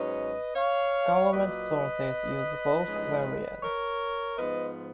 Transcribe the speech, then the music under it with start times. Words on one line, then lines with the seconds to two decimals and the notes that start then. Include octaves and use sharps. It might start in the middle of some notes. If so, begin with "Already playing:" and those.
Government sources use both variants.
Already playing: G#2 F#3 C#4 B4 D#5
0.55 C#5 F5
1.31 A#2 F#3 A#3 B4 D#5
2.85 G#2 F3 G#3 C#4
3.61 A#4 C#5
4.37 G#2 F3 B3 B4 D#5